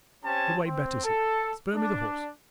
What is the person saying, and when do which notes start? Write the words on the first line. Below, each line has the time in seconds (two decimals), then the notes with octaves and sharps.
The way betters here; spur me the horse.
0.25 C4 C#4 G4 G#5 A5
0.66 C4
1.04 A4
1.75 D4